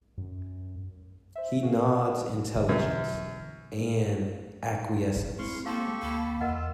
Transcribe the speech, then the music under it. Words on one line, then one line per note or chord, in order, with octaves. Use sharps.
He nods intelligence, and acquiescence.
F#2
C5 E5
F#4 G#4 F5
F#2 B2 D3 E3
G#3 C4 E4 F5 C6 C#6
A#3 G4 A4 F5 C6 C#6
D2 A#3 B5
E2 F4 A#4 D#5 F#5 E6